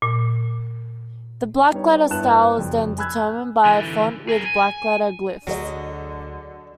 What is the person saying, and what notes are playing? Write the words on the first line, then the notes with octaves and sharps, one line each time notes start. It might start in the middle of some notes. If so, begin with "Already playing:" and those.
The black-letter style is then determined by a font with black-letter glyphs.
A#2
G3 B3 D#4 C#5
G2 B3 E4 A5 F#6 E7
F#1 F2
G#5 B5 E6 F#6 G#6
D3 E3
G#4 A#4
G#5
D2 D3 F#3 F#4 G#4 D#5